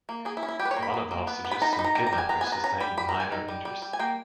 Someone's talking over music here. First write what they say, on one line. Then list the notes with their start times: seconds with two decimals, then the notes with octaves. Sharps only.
One of the hostages and the kidnapper sustained minor injuries.
0.09 A#3
0.25 A#3 G#4
0.37 E4
0.43 C#4
0.49 E4
0.59 G3 G4
0.65 B4
0.71 C#5
0.76 A#3
0.83 B5
0.94 A#3
1.11 A#3
1.27 B3
1.44 B3
1.51 B5
1.62 D#4 A#5
1.73 B5
1.79 D#4
1.84 A#5
1.95 G3 A#5
2.07 A#5
2.13 G3
2.18 G#5
2.29 B3 A#5
2.41 G#5
2.47 B3
2.52 A#5
2.64 C#4 A#5
2.80 G3 B5
2.97 G3 B5
3.09 A#5
3.14 G3
3.20 G#5
3.32 D#4
3.48 G3
3.65 G3
3.82 G3
3.93 G#5
3.99 A#3 G5